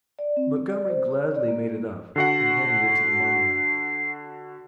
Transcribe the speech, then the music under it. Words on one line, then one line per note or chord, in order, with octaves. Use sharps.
Montgomery gladly made it up and handed it to the miner.
D5
C4
D5
C5
C#5
D5
A#3
A#3
D3 F#4 F#5 C7